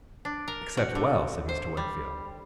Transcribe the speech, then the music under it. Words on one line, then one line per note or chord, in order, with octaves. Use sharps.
'Except well?' said Mr. Wickfield.
D4
A#4
F#4
D3
C5
G3